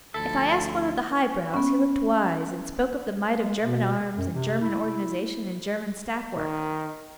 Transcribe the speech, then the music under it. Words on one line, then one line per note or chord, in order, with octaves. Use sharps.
If I asked one of the highbrows he looked wise and spoke of the might of German arms and German organization and German staff-work.
D2 F3 E4 A4 E5
B3 C#4
G#3
B2
F#2
C3
E4
D#3